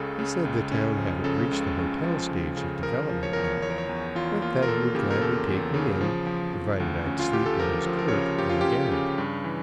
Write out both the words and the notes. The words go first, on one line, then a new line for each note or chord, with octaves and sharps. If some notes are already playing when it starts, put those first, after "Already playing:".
He said the town hadn't reached the hotel stage of development yet, but that he would gladly take me in, provided I'd sleep with his clerk in the garret.
Already playing: C#2 C#3 A4
C#3
C#2
C#4
F3
C#3 A4
C#2
C#3
F3
C#2
C#3
F3 A#4
F3
C#5
E2 A#4
C#5
E2 C#5
A#4
C#5
E2
E2 F4
A#3 F4
A#4
A#3 A4
C#3 G4
A#4
E2 A4
E2
C#3
F3
F3
F3
D2
C#4
F4
C#4 G4
A4
F3 A#4
F3
A#4
C#3 C#5
A#4
F3 G4
F4
C#4 G4
C#3
G2
E3